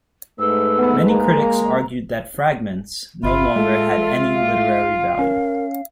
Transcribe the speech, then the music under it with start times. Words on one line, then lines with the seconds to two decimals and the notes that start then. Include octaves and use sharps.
Many critics argued that "Fragments" no longer had any literary value.
0.39 G#2 A3 B4 E6
0.78 B3
1.08 G#3 A#3 A#5
3.24 G1 F4 E5 B5
3.56 G#3 A4
4.35 F5
5.19 C#4 A#4